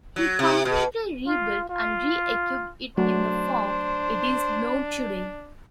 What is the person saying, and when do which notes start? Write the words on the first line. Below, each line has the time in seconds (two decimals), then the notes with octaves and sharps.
He completely rebuilt and re-equipped it in the form it is known today.
0.16 F#3
0.39 C3
0.65 B2
1.26 F4
1.70 F4
2.98 F#3 A3 D4 F#4 C5